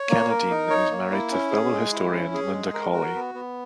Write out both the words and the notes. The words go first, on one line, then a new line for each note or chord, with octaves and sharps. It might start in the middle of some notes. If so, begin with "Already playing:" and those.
Cannadine is married to fellow historian Linda Colley.
Already playing: C#5
A#3
A#4
D#4
C#5
A#3
E4
C#4
G#4
G#3
E4
C#4
G#4
G#3
A#4
F#4
B3
B3